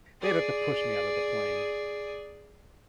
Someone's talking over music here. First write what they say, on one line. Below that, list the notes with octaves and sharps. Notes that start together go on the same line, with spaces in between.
They'd have to push me out of the plane.
G#4 D5